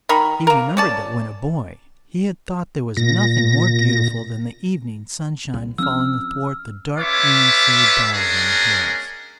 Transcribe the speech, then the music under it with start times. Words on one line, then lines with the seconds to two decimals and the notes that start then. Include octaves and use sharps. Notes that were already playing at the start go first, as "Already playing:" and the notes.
He remembered that when a boy he had thought there was nothing more beautiful than the evening sunshine falling athwart the dark green fir boughs on the hills.
0.09 D#3 A#4 B5
0.47 A#3 A#4
0.77 C#4 D5 A5
2.97 A#2 A#6
5.54 C2
5.78 F3 C4 C#4 E6 F6
6.98 C#4 F4 B4 C#5 E5 D6
8.13 G#3 B3 C#4 D4 G#4 A#4